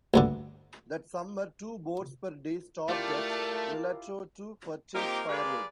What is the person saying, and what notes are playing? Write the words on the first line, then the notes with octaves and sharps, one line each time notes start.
That summer, two boats per day stopped at Nulato to purchase firewood.
D2 G2 D3
A3 E4 F4 G4 A#4 D5 F5 A5
A#3 C4 D#4 F4 G4
G#3 A#3 G4 B4 D5 F5